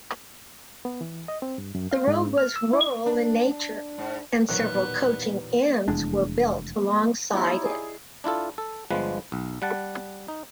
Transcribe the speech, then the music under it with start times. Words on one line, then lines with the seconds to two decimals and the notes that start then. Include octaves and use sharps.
The road was rural in nature and several coaching inns were built alongside it.
0.85 B3
1.01 E3
1.28 D#5
1.42 C4
1.58 G2
1.75 F#2
1.91 F5
2.07 G#2
2.38 F6
2.56 E6
2.73 E4
3.06 D4
3.98 G#2
4.49 E1 A#2 D#3 F#3 G3 B3 F4 F#6
5.88 F1 E2 G#3 D4
7.33 D#4 E4 G4 C#5
7.62 G#4 D5
8.24 D4 E4 F4 A4
8.58 A4
8.91 G1 F3 G#3 B4
9.32 B1
9.62 G3 F#5 A5
10.28 D#4